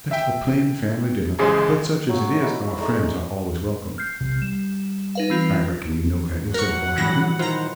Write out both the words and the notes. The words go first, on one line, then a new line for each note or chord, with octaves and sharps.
Just a plain family dinner, but such as it is, our friends are always welcome, I reckon you know that yourself, Washington.
E5 G5
D1 A1 C#3 G#3 G#4 C5
F#3 C#4 C#5 F5
D#4 E4
G#3 A3 D#4 D5
F6 G6 C7
B1 C3
G3 E7
D#4 B4 F5
E3 C4 F4
F#3 A#4 F#5 C#6
A#2 E3 G3 A#6
D#3 E4 F4 C5 A#5